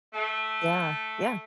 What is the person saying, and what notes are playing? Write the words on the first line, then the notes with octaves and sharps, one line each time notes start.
Yeah. Yeah.
A3